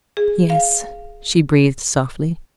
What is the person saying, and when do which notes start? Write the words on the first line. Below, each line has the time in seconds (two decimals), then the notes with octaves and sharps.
"Yes," she breathed softly.
0.17 G#4
0.50 F5